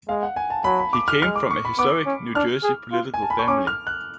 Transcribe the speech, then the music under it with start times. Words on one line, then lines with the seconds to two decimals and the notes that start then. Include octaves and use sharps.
He came from a historic New Jersey political family.
0.08 G#3 F5
0.23 F#5
0.36 G#5
0.50 A5
0.64 F#3 B5
0.80 B5
0.93 D6
1.08 F6
1.22 G#3 F6
1.36 D6
1.51 C#6
1.65 B5
1.78 B3 D6
2.06 C#4
2.35 D4 F6
2.63 G#4
2.92 F4
3.14 G#5
3.22 A5
3.30 B5
3.39 C#6
3.48 C#4 D6
3.67 F6
3.87 F#6